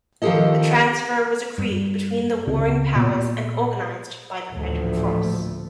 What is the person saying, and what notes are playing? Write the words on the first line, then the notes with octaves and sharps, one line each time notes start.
The transfer was agreed between the warring powers and organised by the Red Cross.
D#3 F3 C4 G4 A4 D#5
G2
C#2 C#3 C4
A#2 B3
A1 D2 A#2 F3 A3